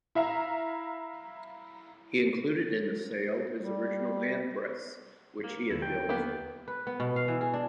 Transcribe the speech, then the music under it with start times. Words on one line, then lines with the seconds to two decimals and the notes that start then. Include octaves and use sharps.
He included in the sale his original hand press which he had built.
0.15 E4 E5 F5 A#5
3.60 G3
5.43 A#3
5.70 D#2 D3 E4
5.82 C4 A4 G5
6.09 A#3 B3 G4
6.24 G5 G#6 A6
6.68 B4
6.87 B3
7.00 B2
7.16 F5
7.28 E3
7.41 G#4
7.54 D4